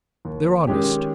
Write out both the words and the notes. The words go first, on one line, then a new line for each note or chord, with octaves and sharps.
They're honest.
D#2
D#3 G#3 C#4 G4